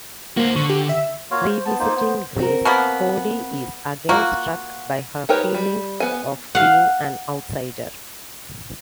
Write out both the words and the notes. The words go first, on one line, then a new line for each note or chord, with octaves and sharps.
Re-visiting Grace, Codi is again struck by her feeling of being an outsider.
A#3 F#4 C5
D3 C#6
G4
E5
A#3 F4 F#4 C#5 F5
C5
B3 A5
A#3 D#4 F4 C5
B3 C5
C4 F#4 A#4
B2 A#3 B3
A#3 F4 F#4
D#4 G4 A#4 B4 C#5
G3
B3 G#5
F5 F#5